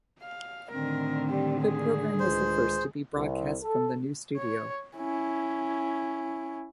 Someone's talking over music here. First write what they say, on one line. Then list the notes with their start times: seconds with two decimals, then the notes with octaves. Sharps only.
The programme was the first to be broadcast from the new studio.
0.23 F5
0.71 A2 D3 D#3 C4 A#4
1.30 G3
1.63 G#4
2.20 C#2 C5
3.15 C2
3.62 A4
4.37 C#5
4.97 C#4 E4